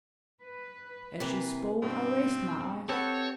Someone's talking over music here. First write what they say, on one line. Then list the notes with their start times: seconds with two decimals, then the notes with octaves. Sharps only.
As she spoke I raised my eyes.
0.41 B4
1.20 C3 E3 A#3
1.82 G2 B2 C4
2.89 C4 G4 A4 B4 C#5 F#5